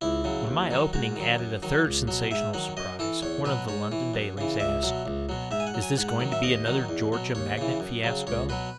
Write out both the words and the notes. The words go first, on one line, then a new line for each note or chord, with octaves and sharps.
When my opening added a third sensational surprise, one of the London dailies asked, "Is this going to be another Georgia Magnet fiasco?"
C#2 E4
C#3 F#3
D#2
D#3 F#3
G#2 F#4
D#3 F#3
F#2
D#3 F#3
C#2
B2 F#3
G#2 E5
D#3 F#3 F#5
F#2 D#5
E3 A4
E2 C#5
B2 F#3 B4
G#2 C#5
E3
F#2
C#3 E3
C#2 E5
B2 F#3
C#2
B2 F#3
G#2 E5
G#5
F#5
F#3
G#5
G#2 F#5
F#5
D#3 F#3
E5
D#2 D#5
D#3 F#3
E2
B2 F#3
D#2 C#5
C#3 E3
F#2
C#3 F#3
C#2 C#5
B2 F#3 B4